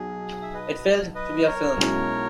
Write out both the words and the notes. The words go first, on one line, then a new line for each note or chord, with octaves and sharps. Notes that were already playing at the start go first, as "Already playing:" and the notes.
It failed to be a film.
Already playing: B1 F#3 G#4
E5
B4 D#5
B4 D#5
A#4 C#5
B1 B2 G#3 C#4 E4